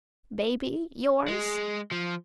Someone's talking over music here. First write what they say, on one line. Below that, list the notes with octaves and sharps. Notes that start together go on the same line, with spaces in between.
"Baby yours?"
G#3
F3